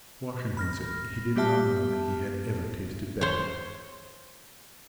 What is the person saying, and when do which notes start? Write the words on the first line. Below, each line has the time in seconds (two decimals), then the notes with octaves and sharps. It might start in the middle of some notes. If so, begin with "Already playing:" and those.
Washington said he did not know that he had ever tasted better.
0.57 B5 F6 A#6
1.36 G3 B3 G4 E5 A5 F6
3.21 C5 C#5